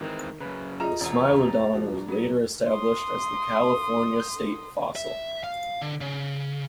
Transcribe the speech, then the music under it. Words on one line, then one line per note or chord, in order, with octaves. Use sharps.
The smilodon was later established as the California state fossil.
D#3 E3 G#3 C4
F#2 C#3 B4
F4 G#4 D#5 E5 A#5
E1 C#4 D5 F#5 A#5
B2 F3
F#3 C#4 G4
C6 D#6
E5
F5
D3
C#3